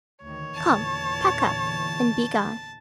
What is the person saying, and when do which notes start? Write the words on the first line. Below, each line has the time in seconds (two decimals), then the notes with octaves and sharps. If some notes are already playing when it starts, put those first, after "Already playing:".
Come! pack up; and begone.
0.22 D2 D#3 C#5
0.54 E2 A#2 D3 A5